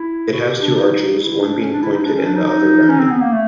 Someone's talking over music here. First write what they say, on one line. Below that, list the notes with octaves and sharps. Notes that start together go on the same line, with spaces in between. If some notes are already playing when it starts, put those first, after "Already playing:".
It has two arches, one being pointed and the other rounded.
Already playing: E4
F#4
G4
D4
D#4
E4
D4
C#4
D4
E4
D#4
D4
C#4
D4
D#4
D#4
C#4
C4
B3
A#3
A3